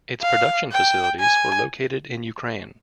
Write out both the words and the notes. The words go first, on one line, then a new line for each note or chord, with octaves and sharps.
Its production facilities were located in Ukraine.
F5
G5
G#5